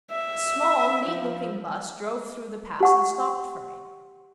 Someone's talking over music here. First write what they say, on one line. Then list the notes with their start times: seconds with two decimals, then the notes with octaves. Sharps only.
A small, neat-looking bus drove through the pass and stopped for me.
0.11 E5
1.07 F3
2.80 G4 F#5 C#6